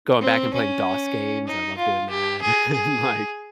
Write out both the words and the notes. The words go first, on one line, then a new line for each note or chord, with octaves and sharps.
going back and playing DOS games, I love doing that, and, like,
C4
C#4
D#4
F4
G4
G#4
G#4